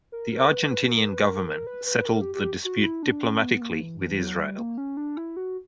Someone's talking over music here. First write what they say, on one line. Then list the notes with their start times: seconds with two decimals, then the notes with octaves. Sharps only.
The Argentinian government settled the dispute diplomatically with Israel.
0.12 A#4
0.32 A#4
0.51 B4
0.70 B4
0.89 A#4
1.09 B4
1.29 A#4
1.47 A#4
1.67 B4
1.86 B4
2.06 A#4
2.21 G4
2.35 G4
2.65 F#4
2.83 E4
3.03 D4
3.23 C#4
3.42 B3
3.61 A#3
3.81 E3
4.01 E3
4.20 F#3
4.39 G3
4.58 A#3
4.78 C#4
4.97 D4
5.17 E4
5.37 F#4